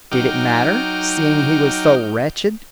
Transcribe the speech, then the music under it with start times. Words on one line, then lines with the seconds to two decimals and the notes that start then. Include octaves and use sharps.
Did it matter, seeing he was so wretched?
0.12 F#3 D#4 G5 D6 F6